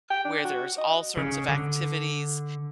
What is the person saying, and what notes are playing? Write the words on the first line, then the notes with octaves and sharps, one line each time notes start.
where there's all sorts of activities,
G5
D4
F#4
D#5
C#3
D3